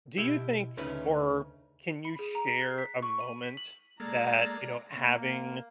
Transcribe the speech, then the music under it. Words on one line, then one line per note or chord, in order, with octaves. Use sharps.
do you think or can you share a moment that, you know, having
B2 E4 G4
D2 C#3 C#4 D#4 B4 E5
B5
G#4
A#5
C7
F#6
B6
C#6
D#7
B6
F#7
G#3 A#3 A4 D5 A#5
A#3